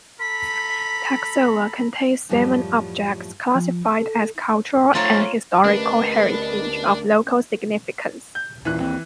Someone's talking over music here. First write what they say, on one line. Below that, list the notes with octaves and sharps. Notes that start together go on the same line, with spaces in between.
Toksovo contains seven objects classified as cultural and historical heritage of local significance.
A4 A#5 B5 B6
F#2 A2 F3 G3
F3
A4
A3 C4 F4 A#4 C#5 A6
D2 A3 C#4 D4 G4 A#4 B4 D#5
G6
D#1 A#2 E3 F#6
D#2 C4